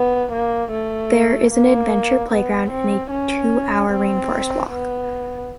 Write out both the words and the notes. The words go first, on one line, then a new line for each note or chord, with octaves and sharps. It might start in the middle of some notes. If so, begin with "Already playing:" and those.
There is an adventure playground and a two-hour rainforest walk.
Already playing: B3
A#3
A3
A#3
B3
C4
C#4
C4
B3